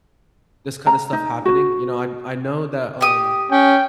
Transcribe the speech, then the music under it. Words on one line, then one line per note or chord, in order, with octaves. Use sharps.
this kinda stuff happening, you know, I I know that, um,
A#5
D#4
F#4
G4 D#6
C#4 G5